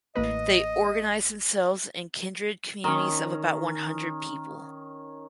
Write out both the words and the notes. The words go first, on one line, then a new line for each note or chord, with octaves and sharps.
They organised themselves in kindred communities of about one hundred people.
A1 A#3 B4 D#5
D#3 C#4